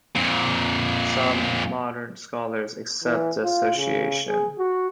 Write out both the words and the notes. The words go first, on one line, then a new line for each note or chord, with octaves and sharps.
Some modern scholars accept the association.
F2 A#2
E3
F4
C#3
G#4
F#4